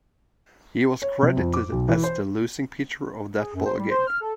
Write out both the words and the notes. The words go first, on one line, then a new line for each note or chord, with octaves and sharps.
He was credited as the losing pitcher of that ballgame.
C#5
C3
F2
D6
B1
E3
C5
G#4
F#2
C5
G3
C5
F6
A4